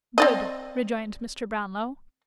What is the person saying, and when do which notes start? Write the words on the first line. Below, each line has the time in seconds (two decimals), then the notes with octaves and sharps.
'Good!' rejoined Mr. Brownlow.
0.18 C4 D5 D#5